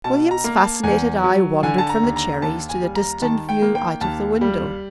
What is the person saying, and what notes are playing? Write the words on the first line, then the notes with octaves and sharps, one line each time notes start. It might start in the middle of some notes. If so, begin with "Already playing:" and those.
William's fascinated eye wandered from the cherries to the distant view out of the window.
B2 A5
A#5
A#3
A5
E2 G#5
F#3
D3 G#5
A5
A#5
D#2
A#5
D#2 A5
G#5
G3
A#5
D#3 A5
G5
A#3
G5
D#2 A5
G3